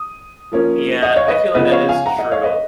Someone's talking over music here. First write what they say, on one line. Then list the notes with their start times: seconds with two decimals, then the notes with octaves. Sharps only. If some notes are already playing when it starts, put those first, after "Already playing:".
Yeah, I feel like that is true.
Already playing: D#6
0.52 F3 A#3 C#4
1.03 D#5 F#5
1.16 C#5 F5
1.28 B4 D#5
1.54 C#3 F3 B3 B4 D#5
1.72 C#5 F5
1.89 F5 G#5
2.06 F#5 A#5
2.18 D#5 F#5
2.32 C#5 F5
2.44 B4 D#5